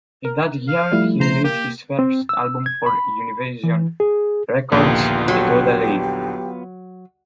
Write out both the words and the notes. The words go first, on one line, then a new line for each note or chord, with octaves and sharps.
In that year, he released his first album for Univision Records, A Toda Ley.
A#4
F5
F3 G3 A3 E4
C#3 C5 A#5 C7
A#3 G4
C4
E6
G#6
B5
E3
G#4
A#1 D#2 D3 B3 F4 G4
F#3 G4